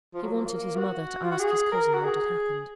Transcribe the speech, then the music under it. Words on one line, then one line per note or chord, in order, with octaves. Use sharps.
He wanted his mother to ask his cousin what had happened.
F3
F#3
F3
A#3
F#4
F4
F#4
G#4
A#4
F#4
G#4